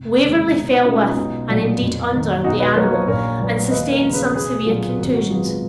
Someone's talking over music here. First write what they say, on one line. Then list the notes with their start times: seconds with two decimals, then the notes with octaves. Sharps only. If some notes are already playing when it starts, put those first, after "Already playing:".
Waverley fell with, and indeed under, the animal, and sustained some severe contusions.
Already playing: F1
0.22 D#2 C#3 G#3
0.53 B1 D#4
0.69 D#4
0.85 B2 G#3 C#4 F4
1.02 D#4
1.16 B1
1.49 A#2 F#3
1.81 F2
2.12 D#3 A#3
2.44 B1 D#4 F#4
2.60 B4 D#5
2.75 B2 F#3 A#3 A#4 C#5
2.91 A#4 C#5
3.07 A#1 A#4 C#5
3.39 A#2 F#3 B3
3.71 D#2 B4 D#5
3.92 A#4 C#5
4.02 C#3 F3
4.13 G#4 B4
4.34 B1 G#4 B4
4.66 A#2 F#3 A#3 F4 G#4
4.98 G#1 F#4 A#4
5.13 F#4 A#4
5.30 G#2 F#3 B3 F4 G#4
5.46 G#4 B4